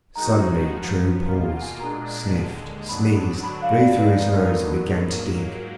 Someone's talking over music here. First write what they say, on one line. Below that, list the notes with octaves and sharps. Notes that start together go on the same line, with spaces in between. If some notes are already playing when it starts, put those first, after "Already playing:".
Suddenly True paused, sniffed, sneezed, blew through his nose and began to dig.
D#3 G#3 D#4 F#4 A#5
F#2 F3 B3
B2 A#3 F4 A#5
F#5
G#5
A#2 G#3 D4 A#5
D#2 D3 G#3
G#2 F#3 B3 D4 B5
D3 F#3 D4 F#4 B5
F5
D5
D#3 G#3 D#4 B4
D5
A#4
D3 F#3 B3 A#4
F#4
G#4
G#2 F#3 A#3 F4